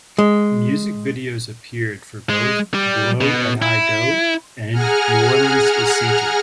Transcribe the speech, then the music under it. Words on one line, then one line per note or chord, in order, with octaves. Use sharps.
Music videos appeared for both "Blow at High Dough" and "New Orleans is Sinking".
G#3
G#3
G3
B2
E4
G#4 F#5 G#5 A#5 F6